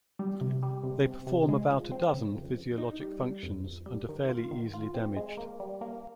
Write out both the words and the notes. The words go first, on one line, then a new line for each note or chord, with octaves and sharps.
They perform about a dozen physiologic functions and are fairly easily damaged.
G3
C3
G3
C3
C3
C3
G#3
F3
C4
C#3
F2
F2
D#4
G3
G3
F2
F2
G3
D#3
F4
D#3
F4
C4
G#3
A#3
G3
A#3